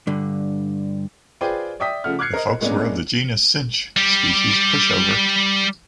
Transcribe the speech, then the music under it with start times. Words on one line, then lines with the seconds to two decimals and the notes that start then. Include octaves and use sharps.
The folks were of the genus cinch, species pushover.
0.07 G2 D3
1.41 F4 G#4 B4 C5 D5 G5
1.80 D5 E5 G5 D#6 B6
2.04 C#3 F3 A3 F#5 F6
2.19 D6 F6 F#6 G#6 C7 C#7
2.34 A#4 C5 D#5
2.61 A2 G#3 A#3 B3 C#4 D4
3.96 G3 G4